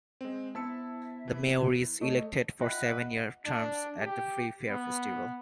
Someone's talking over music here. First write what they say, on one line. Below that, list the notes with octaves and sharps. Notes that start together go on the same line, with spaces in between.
The Mayor is elected for seven-year terms at the Free Fair Festival.
G#3 C4
B3 E4 C5 A5 E6 C#7
E3
A3 A4 C#5 D#5
F4 B4 D#5 E5 F#5 G5
D4
G4
B3